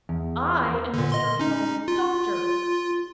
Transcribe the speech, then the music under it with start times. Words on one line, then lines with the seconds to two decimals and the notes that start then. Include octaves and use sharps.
'I am Mr. Hale's daughter.
0.09 E2
0.94 A#2 D3
1.12 D#5 C6
1.39 C#4 D#4
1.88 F4